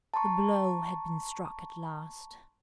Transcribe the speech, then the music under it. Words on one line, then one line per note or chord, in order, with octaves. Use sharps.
The blow had been struck at last.
A5 A#5 C6 C#6